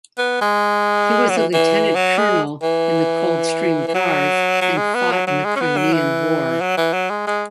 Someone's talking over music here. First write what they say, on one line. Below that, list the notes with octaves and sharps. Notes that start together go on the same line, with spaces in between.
He was a Lieutenant-Colonel in the Coldstream Guards and fought in the Crimean War.
B3
G#3
F#3
E3
E3
F#3
G#3
E3
E3
F#3
F#3
G#3
B3
F#3
F#3
G#3
C#4
B3
F#3
E3
F#3
E3
F#3
G#3
G#3